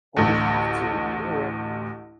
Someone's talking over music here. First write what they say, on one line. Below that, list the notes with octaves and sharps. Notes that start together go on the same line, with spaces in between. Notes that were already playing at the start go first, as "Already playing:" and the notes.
Well, we have to, you know, we're
A1 D2